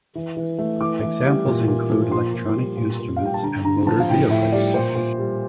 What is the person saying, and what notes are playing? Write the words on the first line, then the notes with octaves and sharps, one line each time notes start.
Examples include electronic instruments and motor vehicles.
E3
E3
A3
E3 D6
E3
G3
A#2
A#2
F3
A#2 C6
A#2
G3
A#2
A#2
F5
G3 G5
A5
D3 A#5
D3 A#5
F3 A5
F5
A2 G5
A2 E5
G3 D5
A#2 C5
A#2
G3